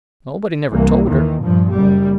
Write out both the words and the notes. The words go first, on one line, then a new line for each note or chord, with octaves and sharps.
"Nobody never told her."
C2 E3 A#3
D#2 D#3 E3
G2 A#2 F3
F#1 G3